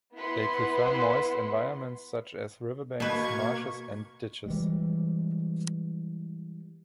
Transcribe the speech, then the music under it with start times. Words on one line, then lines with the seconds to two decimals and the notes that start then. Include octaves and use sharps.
They prefer moist environments such as riverbanks, marshes and ditches.
0.14 B3 E4 B4 F#5 C6
3.00 B2 A#3 B4 C#6 G#6
4.46 E3 G3 G#3